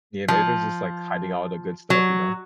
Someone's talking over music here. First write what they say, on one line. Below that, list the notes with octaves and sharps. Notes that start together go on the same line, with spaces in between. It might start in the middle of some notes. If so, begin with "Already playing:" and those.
Yeah, maybe they're just, like, hiding all the good stuff, you know?
F3
F#3